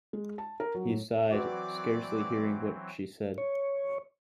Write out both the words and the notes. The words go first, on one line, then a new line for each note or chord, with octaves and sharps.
He sighed, scarcely hearing what she said.
G#3
A5
A#4
F#3
A2
E3 F#3 C4 F#4 B4 D5 D6
C#5